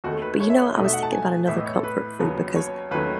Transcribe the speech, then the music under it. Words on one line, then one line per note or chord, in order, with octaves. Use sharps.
But you know what? I was thinking about another comfort food, because
D#2 D#3 A3 F#4
A4
B4
C#5
E5
C#5
B2 A3 D#4 D#5
E5
F#5
A5
G#5
A2 E3 B3 E4 E5
D#5
C#5
A4
B4
D#2 C#3 F#3 B3
C#5
D#2 D#3 F#3 A3 C#4 B4